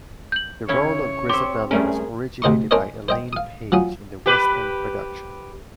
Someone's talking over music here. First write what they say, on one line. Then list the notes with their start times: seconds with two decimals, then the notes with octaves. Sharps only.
The role of Grizabella was originated by Elaine Paige in the West End production.
0.32 G6 F#7
0.68 C#3 C#4 E4 C#5
1.29 C4 G4 C6 D6
1.71 G3 A3 C#4 G#4 A#4
2.42 D2 C3 C5 D#5 C6 C#6
2.71 C#4 D4 A#4 C5 C#5 D#5
3.08 C5 D#5 G5
3.33 F5 D#6
3.72 F3 F#3 C#4 D#6
4.26 G4 B4